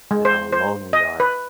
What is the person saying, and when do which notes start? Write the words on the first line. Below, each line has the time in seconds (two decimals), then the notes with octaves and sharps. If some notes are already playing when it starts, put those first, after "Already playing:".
how alone we are.
0.11 G#3
0.25 C5
0.53 C5
0.93 D#5
1.20 B4